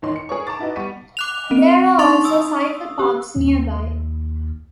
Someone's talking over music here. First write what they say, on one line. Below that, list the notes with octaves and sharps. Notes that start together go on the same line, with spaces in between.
There are also cycle parks nearby.
D#2 D#3 C#5 D#5 C6
C#7
G#4 A#4 C#5 C#6
A5 A#5 D6 A6
D#4 E4 F#4 B4 D#5
G3 B3 C#6 B6 D#7
D6 F#6 F7
C4
D#4 C6 C#6 A6 F7
D#6 E6
G4
D#2